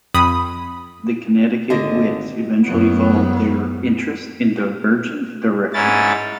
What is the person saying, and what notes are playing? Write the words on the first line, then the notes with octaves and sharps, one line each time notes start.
The Connecticut Wits eventually followed their interests in divergent directions.
F2 B5 D#6
G#1 D3 D#5
F#2 B3
G#2 C#4 E4 A6